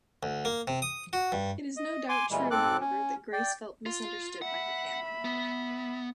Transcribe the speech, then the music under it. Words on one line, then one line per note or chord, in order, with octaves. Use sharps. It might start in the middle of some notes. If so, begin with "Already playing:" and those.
It is no doubt true, however, that Grace felt misunderstood by her family.
D2
A#3
C3
D#6
F#4
G2
D#5
G#5 C6 D6
A#2 E3 G3 G#3
G#2 C4 A4 D6 F#6
C#4
D5 G5
F4
E5 F#5 B5
B3